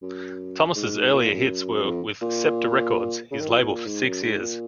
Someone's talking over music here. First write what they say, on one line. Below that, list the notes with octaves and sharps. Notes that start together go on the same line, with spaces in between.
Thomas's earlier hits were with Scepter Records, his label for six years.
F#2
G#2
A#2
F#2
F2
A#2
C#3
D#3
F3
B2
A#2
G#2
F#2
G#2
A#2